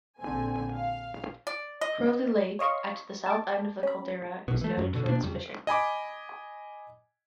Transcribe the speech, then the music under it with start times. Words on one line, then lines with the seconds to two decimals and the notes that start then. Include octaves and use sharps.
Crowley Lake, at the south end of the caldera, is noted for its fishing.
0.20 A#1 D3 C4 G#5
0.74 F5
1.47 D5
1.81 D#5
2.59 C#5 D#5 F5 C6 C#6
3.26 A5 D6
3.83 C#4 B5
4.48 B1 B2
4.61 E3 A3
4.77 F#2
4.93 B2 D3
5.06 B2 A#3 D4
5.23 F2 C#3 G3
5.67 D#5 G#5 B5 D6